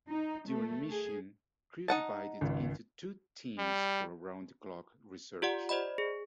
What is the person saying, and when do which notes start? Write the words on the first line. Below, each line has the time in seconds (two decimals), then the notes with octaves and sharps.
During mission, crew divided into two teams for around-the-clock research.
0.10 D#4
0.48 A3
0.91 G#4
1.88 D#4 F#5 A5
2.41 G#1 C#2
3.58 G3
5.42 F4 G4 D5 F#5
5.69 C5 D5 D#5 B5
5.98 G#4